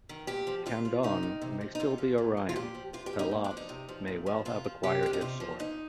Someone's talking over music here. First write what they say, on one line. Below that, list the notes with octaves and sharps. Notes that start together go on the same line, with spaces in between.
Candaon may still be Orion; Pelops may well have acquired his sword.
D#3
A#2 G4
F3
A#2 F4
F3
C3 D#4
D#3
C3
F3
D#4
C3 F4
F3
A#2
F3
F4
A#2 G4
F3
C3 F4
G4
F3
D#4
A#2
D4
F3
D#4
C3
F3
A#2
F3
C3 F4
F3
C3 G4
F3 D4
D#4
C3 F4
F3
A#2 D#4